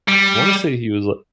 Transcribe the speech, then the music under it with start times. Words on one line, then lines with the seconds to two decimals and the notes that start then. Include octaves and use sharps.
I wanna say he was li
0.09 G3